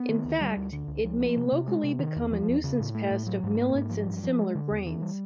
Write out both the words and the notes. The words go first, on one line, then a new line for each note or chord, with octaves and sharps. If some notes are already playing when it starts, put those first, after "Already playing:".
In fact, it may locally become a nuisance pest of millets and similar grains.
Already playing: B3
D#3
D2
G3
D2
D3
C#2
F3
A#3
C3
C3
G#3
C3
D#3
E2
F3
E2
C#3
A2
A3
A2
F#3
G#2
A#3
G#2
F3
G2
F3
G#3
D3
E2
E3
G3